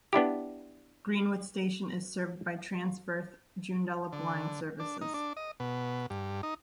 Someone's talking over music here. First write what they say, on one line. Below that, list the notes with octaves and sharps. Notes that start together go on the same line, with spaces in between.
Greenwood station is served by Transperth Joondalup line services.
B3 D4 E4 G4
D3
D4
D#4
D4
D#5
B2
G2
D#4